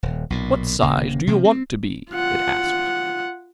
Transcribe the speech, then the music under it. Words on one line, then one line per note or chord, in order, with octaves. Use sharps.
'What size do you want to be?' it asked.
D#1
B1 A#2
D#1 C#3 A#3
C3 F3 A#3
C4
F4 F#5